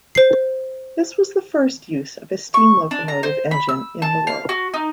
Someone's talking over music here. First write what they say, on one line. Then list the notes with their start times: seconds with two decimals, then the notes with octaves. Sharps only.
This was the first use of a steam locomotive engine in the world.
0.15 C5 C7
2.54 C#6
2.91 D4
3.08 A#5
3.23 C5
3.51 B5
3.69 E6
4.02 A5
4.27 F5
4.49 F#4
4.74 D#4